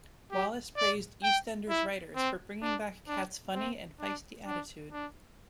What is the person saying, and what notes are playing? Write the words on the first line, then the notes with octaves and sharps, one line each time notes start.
Wallace praised "EastEnders" writers for bringing back Kat's funny and feisty attitude.
G4
D5
G5
E4
C4
D4
D4
C4
D4
D4
D4